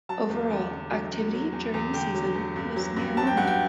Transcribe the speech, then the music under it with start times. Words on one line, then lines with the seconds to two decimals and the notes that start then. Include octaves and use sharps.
Overall, activity during the season was near normal.
0.09 F#3 A5
0.30 E2
0.50 E2
0.70 D3
0.91 F#3
1.11 E2
1.33 F#3
1.53 E2
1.74 E2
1.94 D3 G5
2.14 F#3
2.35 E2
2.56 G2
2.76 F#3
2.96 G2
3.17 F#3 A5
3.27 G5
3.37 G2 F#5
3.47 G5